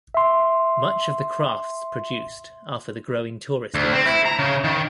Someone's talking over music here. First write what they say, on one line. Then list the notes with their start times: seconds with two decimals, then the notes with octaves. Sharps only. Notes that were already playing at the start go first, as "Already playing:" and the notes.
Much of the crafts produced are for the growing tourist industry.
0.14 E5 C6
3.74 D2
3.92 C4
4.06 E4
4.26 A#5
4.39 C#3
4.64 D#3